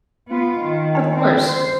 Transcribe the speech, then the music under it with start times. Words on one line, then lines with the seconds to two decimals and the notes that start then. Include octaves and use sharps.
Of course.
0.28 B3 F4
0.60 D#3
1.14 C4
1.48 C5